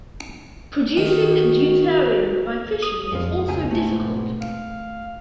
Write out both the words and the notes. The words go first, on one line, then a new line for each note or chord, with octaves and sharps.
Producing deuterium by fission is also difficult.
D#3 F#4
D#6
F2 F3 G#3
C#2 G4 G#5
G#2 B2 A3 C4
F5